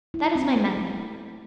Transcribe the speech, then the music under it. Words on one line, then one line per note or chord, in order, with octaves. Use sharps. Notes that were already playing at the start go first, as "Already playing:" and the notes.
That is my method.
E4
C4
A3
A3